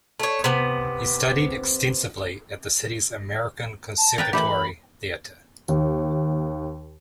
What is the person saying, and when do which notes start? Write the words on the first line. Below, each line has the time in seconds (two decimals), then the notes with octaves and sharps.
He studied extensively at the city's American Conservatory Theater.
0.20 A3 C#5
0.44 C3 B3
3.98 A5
4.18 A#4 B4 G5 A6
4.33 E3 A3 G4 B5
5.68 D#2